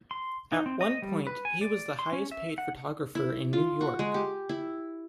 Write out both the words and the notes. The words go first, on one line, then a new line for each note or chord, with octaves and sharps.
At one point he was the highest paid photographer in New York.
C6
D#4
C4
D#5
G3
B4
G#5
D5
C6
C#4
E5
F#5
E4
F4
F#4
G#3
G4
E4